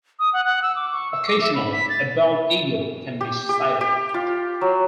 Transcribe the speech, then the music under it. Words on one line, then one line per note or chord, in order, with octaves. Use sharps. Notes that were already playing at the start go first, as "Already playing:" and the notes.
Occasionally a bald eagle can be sighted.
D#6
F#5
F#5
E6
D6
C#6
E6
D6
E5
B5
B6
A6
G4
G4
G4
F4
F#3